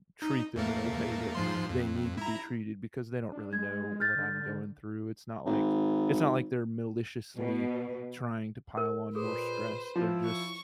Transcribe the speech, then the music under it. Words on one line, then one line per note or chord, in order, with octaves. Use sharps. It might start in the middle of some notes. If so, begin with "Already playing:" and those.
treat them in a way that they need to be treated because they don't really know what I'm going through. It's not like it's not like they're maliciously trying to pile on more stress. They're just
D#4
E2 A3 A#3
G#2 F3 C6
F2
E4 A#5
D4
G#3 G#6
F6 G6 A6
D3
G#1
B2
A#4
A#2 G#4 A4 B4 C5
F3 E4
C#6